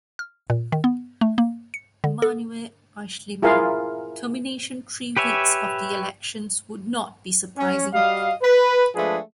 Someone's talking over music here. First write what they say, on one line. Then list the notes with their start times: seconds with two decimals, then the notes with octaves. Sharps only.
Manuel Aeschlimann, termination three weeks of the elections would not be surprising.
0.19 F6
0.50 A#2
0.72 D#3
0.84 B3
1.21 A3
1.38 A#3
1.74 C#7
2.04 D3
2.22 A4
3.42 E4 F4 G#4 A#4 F5
5.17 G4 B4 C#5 E5 G#5
7.57 C#4
7.93 G3 F#4 D#5 F5
8.41 B4
8.95 F3 G#3 A3 D4 G#4 B4